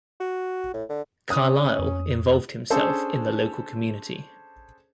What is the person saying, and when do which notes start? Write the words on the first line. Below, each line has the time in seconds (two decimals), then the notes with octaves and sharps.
Carlisle involved himself in the local community.
0.20 F#4
0.74 A2
0.89 D3
1.30 C#4 D#6
1.79 F2
2.70 C#4 D4 G#4 A4 C5